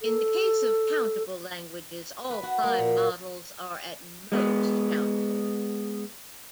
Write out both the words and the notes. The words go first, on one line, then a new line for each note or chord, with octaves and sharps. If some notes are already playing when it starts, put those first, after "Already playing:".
In the case of countable languages, all prime models are at most countable.
A4
B4
F#4
A#3
A#2
F4
G#3 B3